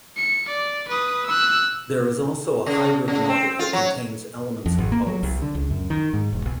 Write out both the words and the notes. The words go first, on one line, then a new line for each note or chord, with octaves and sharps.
There is also a hybrid model that contains elements of both.
C#7
D5
B4 D#6
E6 F#6
C#3
C#3
C4
F4
F#3
F2
G#1
A#3
F#3
C2
D3
C#2
F#2
D#3
G#2
E1
B1